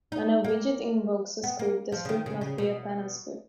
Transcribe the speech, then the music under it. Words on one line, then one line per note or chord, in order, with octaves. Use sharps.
When a widget invokes a script, the script must be a panel script.
D#4
A#3
B3
A#3
F3
C#3
D#3
C#3
C#3
B2